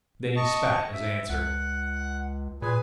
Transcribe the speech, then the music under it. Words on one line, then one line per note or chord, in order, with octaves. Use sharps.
Then he spat, as answer.
D#5 A5 C#6
E5
C#2 F#5
A#2 G#4 B4 G#5